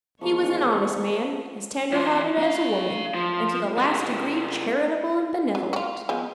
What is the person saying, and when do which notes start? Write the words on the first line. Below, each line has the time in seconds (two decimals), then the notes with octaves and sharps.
He was an honest man, as tender-hearted as a woman, and to the last degree charitable and benevolent.
0.21 E2 D#3 F3 G#3 A#3 C#6
1.93 E3 F4
2.38 D4 F5
3.14 F3
3.78 C3 G#3
5.55 F#3
5.73 F4 F#4
6.09 F3 G#3 B3